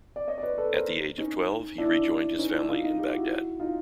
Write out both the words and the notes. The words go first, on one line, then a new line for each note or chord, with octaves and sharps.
At the age of twelve, he rejoined his family in Baghdad.
D5
C#5 D#5
D5
B4 C#5
A4 B4
A#4 C5
C#4 D#4
D4 E4
C#4 D#4
D4 E4
D#4 F4
D#4 F4
F4 G4
E4 F#4
D#4 F4